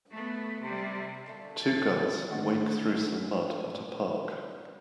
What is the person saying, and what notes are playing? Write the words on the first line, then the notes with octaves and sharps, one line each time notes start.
Two girls wake through some mud at a park.
A3 B3
C3 G3
A#2 D3 A3
A6
D3 D#3 G#3 A3 F#5